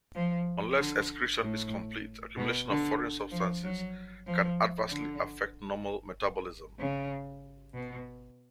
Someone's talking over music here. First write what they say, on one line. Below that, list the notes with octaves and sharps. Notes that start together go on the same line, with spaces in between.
Unless excretion is complete, accumulation of foreign substances can adversely affect normal metabolism.
F3
D3
A2
B2
D3
F3
F#3
F3
D3
C#3
B2